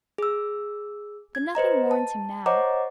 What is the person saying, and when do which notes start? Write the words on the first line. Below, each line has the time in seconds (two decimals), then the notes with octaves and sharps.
But nothing warns him now.
0.18 G#4 E6
1.35 G#6
1.55 B4 C5 D#5 A#5
1.91 A5
2.46 C5 C#5 D#5 F#5 A#5 D6